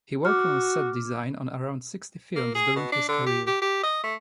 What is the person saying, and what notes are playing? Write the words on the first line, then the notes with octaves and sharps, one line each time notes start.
He worked on set design on around sixty films during his career.
F#4 D6 F6
A#3
G#4
B2
D4
D3
G4
G4
G4
D#5
A3